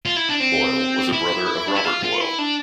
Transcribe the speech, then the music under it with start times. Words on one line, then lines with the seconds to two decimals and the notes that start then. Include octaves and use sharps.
Boyle was a brother of Robert Boyle.
0.06 F4
0.16 E4
0.29 D4
0.40 C4
1.13 E4
1.68 D4
1.76 E4
1.85 F4
2.03 F4
2.20 E4
2.39 D4